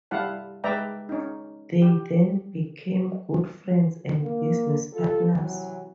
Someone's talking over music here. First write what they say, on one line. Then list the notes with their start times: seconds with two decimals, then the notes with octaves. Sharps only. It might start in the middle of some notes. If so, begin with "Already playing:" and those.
They then became good friends and business partners.
0.11 G3 E4 F5 F#5 A5
0.64 G#3 B4 D5 E5 G5 A#5
1.09 C#4 D#4
1.82 G4
4.22 A#3
4.93 G3 F4 A4
5.36 C3 E3 F#3